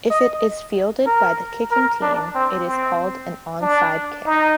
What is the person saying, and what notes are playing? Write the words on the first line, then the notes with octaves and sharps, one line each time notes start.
If it is fielded by the kicking team, it is called an onside kick.
D#5
A#4
A#4
D4
C4
C4
D4
D#4